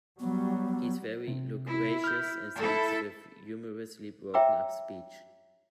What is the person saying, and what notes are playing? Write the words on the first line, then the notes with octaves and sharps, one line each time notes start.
He is very loquacious and speaks with humorously broken up speech.
F#3 G3 B3
C3
E4
F6 G6
E4 A4
C#5 E5 G5 A#5 D6 E6